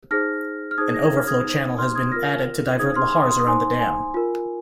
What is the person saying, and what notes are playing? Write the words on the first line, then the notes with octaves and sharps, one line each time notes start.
An overflow channel has been added to divert lahars around the dam.
D#4 G#4 C5 F6 A#6
F6
D#4 G#4 C5 D#6 G#6
A#6
G#6
F6
D#6 G#6
D#4 C5
C6 F6
D#6 G#6
F4 A#4 F6 A#6
D#4 G#4 C5 D#6 G#6
C6 F6
C6
D#6
C6
D#6
D#4 C5 G#5 C6
G#5
F4 A#4